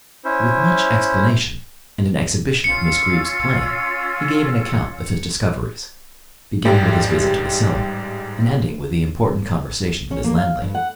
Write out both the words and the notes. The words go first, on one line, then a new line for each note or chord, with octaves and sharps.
With much explanation and an exhibition of Miss Greeb's plan, he gave an account of his discoveries, beginning with his visit to the cellar, and ending with the important conversation with his landlady.
C#4 E4 C5
C#4 F4 E6 C#7
A1 G#2 G3 G4
C#4
A#3
F5
G2
F#5